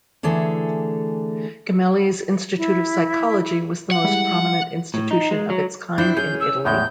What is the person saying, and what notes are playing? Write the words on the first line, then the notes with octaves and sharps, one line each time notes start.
Gemelli's Institute of Psychology was the most prominent institution of its kind in Italy.
D3 E3 A3 G#4 A4
E4
F#5
G3 G#3 E4
A2
D#4
G#3
F#3
D4 E4 C5 G5 G6
C#4 G#4 G6
E6
E2 A2 G#3 G6